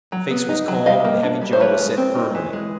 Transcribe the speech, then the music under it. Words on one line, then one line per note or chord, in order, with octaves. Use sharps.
The face was calm and the heavy jaw was set firmly.
F#3
B3
D#4
F#3
G3 D#5 F5
A#3
D4
G3
C5
F3 B4 C#5
G#3
C4
D#4
E3
G#3